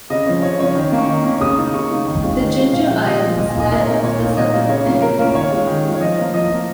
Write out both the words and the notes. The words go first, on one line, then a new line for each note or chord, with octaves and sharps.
The Ginger Islands lie off the southern end.
C#3 D#5
F3 C#4
C#3 C#5
F3 C#4 C#5
D#3
A#3 C#4
C#6
D#3
A#3 C#4
C#3 D#6
A#3 D#4
C#3 C#6
A#3 D#4
D#3
G#3 C#4 F4
D#3
G#3 C#4 F4
A#2 F5
F3 G#3 F4
A#2 D#5
F3 G#3 F4
A#2 D#5
G#5
A#3 D#4 D#5
A#2 A#4
C#5
A#3 D#4 A#4
A#2 C#5
A#3 D#4
A#2 D#5
A#3 D#4
C#3 C#5
A#3 C#4 F4
C#3 A#4
A#3 C#4 F4 A#4
D#3 C#5
G#3 F4
D#3
G#3 F4
C#5
F3 D#5
A#3 F4
F3 D#5
A#3 F4